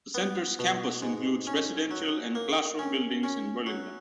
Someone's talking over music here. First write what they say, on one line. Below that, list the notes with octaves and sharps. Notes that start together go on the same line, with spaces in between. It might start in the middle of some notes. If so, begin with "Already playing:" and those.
The center's campus includes residential and classroom buildings in Burlington.
B3
B2
G#2
C#4
F#3
A#3
C#4
C#4
F#3